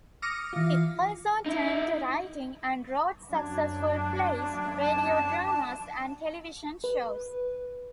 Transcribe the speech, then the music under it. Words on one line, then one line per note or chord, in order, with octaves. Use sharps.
He also turned to writing and wrote successful plays, radio dramas, and television shows.
D6 D#6 F6 A#6 C#7
E3 F4
D#4 E4
F#2 F#3 D4 G#6
A5
B4